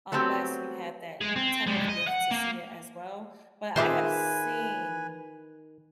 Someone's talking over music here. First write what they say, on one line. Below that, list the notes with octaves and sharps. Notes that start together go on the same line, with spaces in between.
unless you had that type of gift to see it, as well. But I have seen
F#3 A3 B3 C4 G4
G#3 G#4
C4
G3 G#3
D#5
F#5
A#3
D#3 F4 G#4 B4 C5 E5 G#5 D6